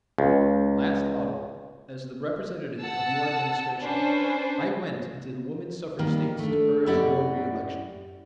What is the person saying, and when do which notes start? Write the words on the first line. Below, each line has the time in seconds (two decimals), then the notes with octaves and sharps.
Last autumn, as the representative of your Administration, I went into the woman suffrage states to urge your reelection.
0.18 C#2
2.80 F#5 A5 E6
3.82 C#4 D4 B4 C5
5.99 D#3 G3 A#3
6.39 A3 D4
6.86 F#2 E4 G4 D5 D#5 F#5